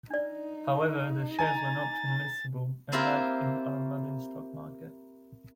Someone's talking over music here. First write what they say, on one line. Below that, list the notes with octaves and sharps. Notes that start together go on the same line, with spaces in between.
However, the shares were not transmissible, unlike in our modern stock market.
D4 D#4 D5
G#5 A#5 A6
A#3 C4 E4 F4 G4 A#4